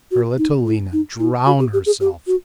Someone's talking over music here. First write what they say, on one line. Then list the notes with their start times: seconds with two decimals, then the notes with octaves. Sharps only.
Her little Lena drown herself!
0.11 F#4
0.38 D#4
0.65 E4
0.93 D#4
1.20 E4
1.46 F#4
1.59 G4
1.73 G4
1.86 G#4
2.00 G4
2.27 F#4